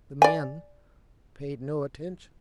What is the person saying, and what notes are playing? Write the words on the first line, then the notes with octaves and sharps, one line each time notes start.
The man paid no attention.
D5 G#5